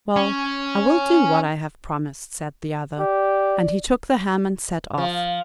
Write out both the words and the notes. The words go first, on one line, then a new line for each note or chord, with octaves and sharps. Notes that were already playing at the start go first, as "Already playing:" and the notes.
"Well, I will do what I have promised," said the other, and he took the ham and set off.
C#4
G4 D5
F3